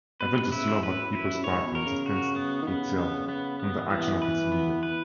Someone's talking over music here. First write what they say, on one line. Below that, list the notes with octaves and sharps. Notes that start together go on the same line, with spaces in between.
Even the Slovak People's Party distanced itself from the action of its leader.
B2 B4
C#3 E4
F#2 B4
E4
F#2
G#2 C#5
B2
A#4
C#3
F#4
B3
D#3
C#3 B3
B3
B3
B3
E3 B3
B4
B3
B4